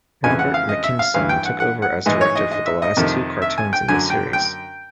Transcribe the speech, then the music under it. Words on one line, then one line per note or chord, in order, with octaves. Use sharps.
Robert McKimson took over as director for the last two cartoons in this series.
F2 C#3 E3 G#5
F#5
F5
D#5
E5
F5
G2 E3 F5
G5
F#5
F#5
F#5
G#2 E3 D#5
C#5
D#5
D#5
E5
D#5
F2 C3 D#3
E5
G#5
G5
F#2 D3 G#5
G5
G5